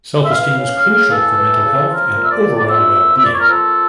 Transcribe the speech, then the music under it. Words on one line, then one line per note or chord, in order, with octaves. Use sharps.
Self-esteem is crucial for mental health and overall well-being.
E5
E3 F5
C#3
C#3
E3 A4
E3
C#3
F3 A#4
A#2
E5
D5
A#2
D5
F3 E5
F3
E5
A#2 D5
C#5
A#4
F3 A4